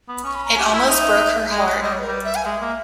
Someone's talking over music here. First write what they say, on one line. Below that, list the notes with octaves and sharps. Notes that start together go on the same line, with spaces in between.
It almost broke her heart.
B3
C#4 C#6
B5
A#5
G4 G#5
E4 E5
D#4
G#3 D#5
G#3 D#5
G3 D#5
C#5
B4
G3 A#4
B4
E5
G#5
G#3 E5
A#3